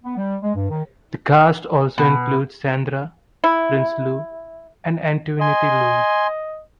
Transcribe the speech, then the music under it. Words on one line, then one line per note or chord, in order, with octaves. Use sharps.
The cast also includes Sandra Prinsloo and Antoinette Louw.
B3
G3
G#3
G2
D#3
B2
E4
D#5 G#5 C6